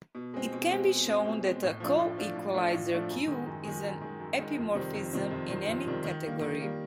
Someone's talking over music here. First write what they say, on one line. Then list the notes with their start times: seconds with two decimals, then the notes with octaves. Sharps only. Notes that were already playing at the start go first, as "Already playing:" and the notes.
It can be shown that a coequalizer "q" is an epimorphism in any category.
0.15 B2
0.34 G#3 C4
0.52 B2
0.70 G#3 C4
0.89 B2
1.07 G#3 C4
1.25 B2
1.43 G#3 C4
1.63 A2
1.80 F3 A3 D4 F4
1.99 A2
2.18 F3 A3 D4 F4
2.35 A2
2.54 F3 A3 D4 F4
2.73 A2
2.92 F3 A3 D4 F4
3.10 F#2
3.28 D#3 G#3
3.46 F#2
3.65 D#3 G#3
3.83 F#2
4.01 D#3 G#3
4.20 F#2
4.39 D#3 G#3
4.58 F2
4.75 C3 D#3 G3 C4
4.94 F2
5.13 C3 D#3 G3 C4
5.31 F2
5.49 C3 D#3 G3 C4
5.68 F2
5.86 C3 D#3 G3 C4
6.04 D#3
6.23 G3 A#3
6.41 D#3
6.60 G3 A#3